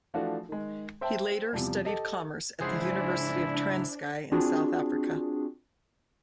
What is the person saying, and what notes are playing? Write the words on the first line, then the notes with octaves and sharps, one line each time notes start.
He later studied commerce at the University of Transkei in South Africa.
E3 F3 A3 D4 F4 F#4
D#3 G#3
C5 E5 G5 A5
E2 C3 F3 G3
G4 A4 D#5
C#3 F3 G#3 D4 E4 G#4 C5 F#5
C4 D4 F4 F#4 G#4